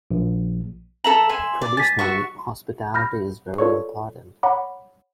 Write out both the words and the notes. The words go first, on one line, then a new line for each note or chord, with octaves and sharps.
Traditionally, hospitality is very important.
A#1
A4 E5 A#5 F#7
E5 G#5 C6
D5
G#5 A6 B6
F#4 E5 C#6
B5 F6 G6 A#6
F4 A4 B4 C#5 D5 C#6
C#5 F#5 A#5 B5 D6